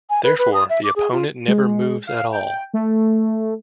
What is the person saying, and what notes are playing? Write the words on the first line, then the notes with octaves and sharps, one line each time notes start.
Therefore, the opponent never moves at all.
G#5
B4
B4
D#6
E5
D6
G#4
F4
G#3
F5
G5
A3